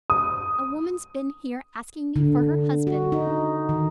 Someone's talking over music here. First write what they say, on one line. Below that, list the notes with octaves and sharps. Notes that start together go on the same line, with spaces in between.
A woman's been here asking me for her husband.
D#6
D3
F#4
D#4
D#3